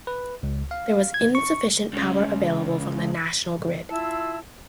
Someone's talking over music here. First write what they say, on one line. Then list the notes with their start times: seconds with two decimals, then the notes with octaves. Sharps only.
There was insufficient power available from the national grid.
0.07 B4
0.43 C#2
0.71 F5
1.14 G#6
1.35 C#6
1.94 C#2 C#3
3.90 E4 F4 A5 E6